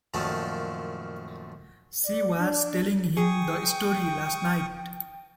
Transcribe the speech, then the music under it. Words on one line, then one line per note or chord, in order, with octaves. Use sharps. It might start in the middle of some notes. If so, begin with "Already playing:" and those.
She was telling him the story last night.
F#2 A#2 D#3 F3 A3 D4
D5
D4
G#4 G5 C#6 D#6